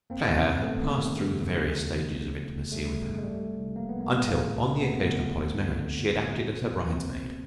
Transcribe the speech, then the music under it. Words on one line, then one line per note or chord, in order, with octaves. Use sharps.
Claire had passed through the various stages of intimacy with her, until on the occasion of Polly's marriage she had acted as her bridesmaid.
F2 A#3 C4
C3
F2
D#3 A3 B3
C3
D#3
C#3
E2
C#3
E2
C#3
F3
C#3
C#3
F2
C#3 G3 A3
F2
F2 G#3
G#3
C2 G3 A3
C2
C2
F3 A#3
C2 B3
A#3
A#2 B3
C#2 G#3 A#3
C#2
C#3
C#2 A3 B3
C#3
C#2
D3
F2
D3
F2
D3
F2
B2
C#2
B2
C#2 A#3 C4
C#2
B2